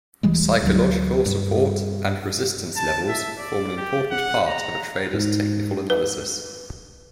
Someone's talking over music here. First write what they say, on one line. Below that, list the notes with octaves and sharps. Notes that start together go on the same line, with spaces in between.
Psychological Support and Resistance levels form an important part of a trader's technical analysis.
D#1 E3 G3 G#3
D2 F#3
G2
A5
E5
D5
G4
F#5
A#5
G#2
B4